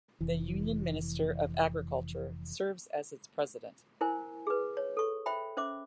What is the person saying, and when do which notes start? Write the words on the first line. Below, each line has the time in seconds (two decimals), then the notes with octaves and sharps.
The Union Minister of Agriculture serves as its president.
0.21 F1 E3
4.01 E4 A#4 C5 G#5
4.47 G#4 B4
4.77 C#5
4.97 A4 C#6
5.26 C5 E5 G5 B5
5.57 C#4 C5 E5 D6